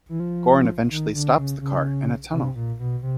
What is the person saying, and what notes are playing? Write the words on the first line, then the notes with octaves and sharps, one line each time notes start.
Goran eventually stops the car in a tunnel.
E3
F3
D#3
D3
C#3
C#3
C3
A#2
B2
C3